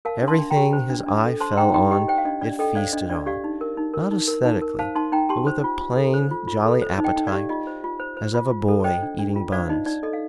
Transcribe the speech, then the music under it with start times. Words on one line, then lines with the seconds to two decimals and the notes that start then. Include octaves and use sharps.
Everything his eye fell on it feasted on, not aesthetically, but with a plain, jolly appetite as of a boy eating buns.
0.05 A#4 F5 A5
0.22 D4
0.28 A5 C6
0.39 D4
0.51 G5 A#5
0.56 G4
0.73 C5
0.90 D4
1.06 D4
1.24 A4
1.40 C5 A5 C6
1.53 C6
1.57 D#4 G5 A#5
1.74 D#4 G5 A#5
1.91 G4 D#5 G5
2.08 C5 D#5 G5
2.18 F5
2.25 D4 D#5
2.42 D4 D5
2.59 A4 D#5 G5
2.75 C5 D5 F5
2.93 D4 D#5
3.09 D4 D5
3.26 G4 D5 F5
3.44 D#4
3.61 A#4
3.77 D#4
3.94 A#4
4.11 D#4
4.28 A#4
4.45 D#4
4.62 A#4
4.79 C5 F5 A5
4.95 D#4 A5 C6
5.12 D#4 G5 A#5
5.29 G4 A5 C6
5.47 C5
5.64 F4
5.81 F4
5.97 A4
6.14 C5
6.31 F4
6.47 F4
6.66 A4
6.82 C5
6.98 D#4
7.04 D#5 G5
7.16 D#4
7.27 D5 F5
7.32 G4
7.49 F4 D#5
7.67 C5
7.84 F4
8.00 C5
8.17 C5
8.34 F4
8.51 F4
8.68 A4
8.84 C5 D#5 G5
9.02 D4
9.19 D4
9.36 F4
9.52 C5 D5 F5
9.69 D#4 D#5
9.86 D#4 D5
10.03 A4 D#5
10.13 F5